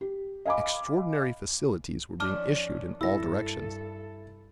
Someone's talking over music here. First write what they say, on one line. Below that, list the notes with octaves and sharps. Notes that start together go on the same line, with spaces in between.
Extraordinary facilities were being issued in all directions.
G4
D#5 F5 G#5 B5 D6
D#3 F3 C#4 D4 A5 D6 F6
G2 E4 A4 E6 A#6